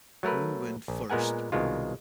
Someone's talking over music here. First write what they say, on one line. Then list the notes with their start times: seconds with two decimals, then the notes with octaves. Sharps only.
Who went first?
0.23 F#3 A3 A#4 B4
0.88 A#1
1.10 A#2 G#3 B3 A#4 F#5 G#5
1.52 C2 B2 D#3 G#3 F4